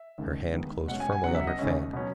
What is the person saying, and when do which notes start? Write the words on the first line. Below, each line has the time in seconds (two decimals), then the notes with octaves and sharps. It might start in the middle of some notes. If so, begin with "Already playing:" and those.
Her hand closed firmly on her fan.
Already playing: E5
0.18 D#2 C#3 G#3
0.53 D#2 D#3 G#3 B3
0.88 B2 G#3 C#4 F#5
1.00 G#5
1.12 G#5
1.24 E2 C#3 F#3 B3 F#5
1.35 E5
1.47 D#5
1.59 D#2 C#3 G#3 C#4
1.93 B2 F#3 C#4